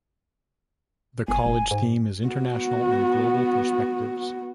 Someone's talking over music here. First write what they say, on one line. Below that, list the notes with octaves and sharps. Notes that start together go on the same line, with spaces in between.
The college theme is "International and Global Perspectives".
G1 G#5
F1
G#2
B3 F#4